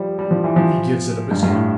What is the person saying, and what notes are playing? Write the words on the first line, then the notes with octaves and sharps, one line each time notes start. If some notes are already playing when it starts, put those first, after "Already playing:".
He give it a biscuit.
Already playing: F3 G3
G3
F3
E3
F3
G2
G2
A2